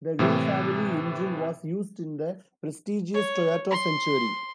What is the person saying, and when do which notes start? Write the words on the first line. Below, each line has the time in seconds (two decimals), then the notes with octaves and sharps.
The V family engine was used in the prestigious Toyota Century.
0.19 A2 C3 E3
3.14 C#5
3.71 C6